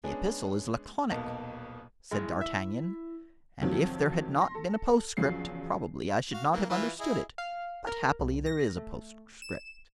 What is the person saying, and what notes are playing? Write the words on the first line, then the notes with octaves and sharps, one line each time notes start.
"The epistle is laconic," said D'Artagnan; "and if there had not been a postscript, probably I should not have understood it; but happily there is a postscript."
G#3 B3 C#4 D4 G#4
D#1 B1 B2 A#3 B3 A5
G#1 G#3 E4
E5
F2 C3 D#3 F3 F#3 C4
C6 A#6
A4
E2 C#3 F3 F#3 C7
F#4 F5
E3 A#3
E3 E4 F4
E4 G#4 D#5
F5
A#4
C2
A#6
A3
E7